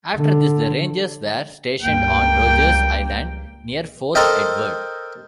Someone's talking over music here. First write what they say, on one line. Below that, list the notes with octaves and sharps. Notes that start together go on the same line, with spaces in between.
After this, the Rangers were stationed on Rogers Island near Fort Edward.
D3
C#2 G2 A#3 G5
A4 A#4 C5 D#5 G5